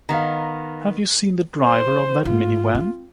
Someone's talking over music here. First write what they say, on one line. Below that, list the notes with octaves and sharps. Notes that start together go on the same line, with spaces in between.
Have you seen the driver of that min-van?
D#3 B3 F5 A#5
C5
G#2 F4
C4